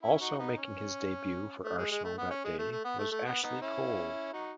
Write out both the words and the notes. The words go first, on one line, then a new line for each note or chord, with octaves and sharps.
Also making his debut for Arsenal that day was Ashley Cole.
C#4 E4
D#4 F#4
B3 D#4
C#4
A3
G#3
G#3
A3
B3
C#4
G#3
A3
A3
B3
A3
A3
B3
B3 D#4
C#4 E4
D#4 F#4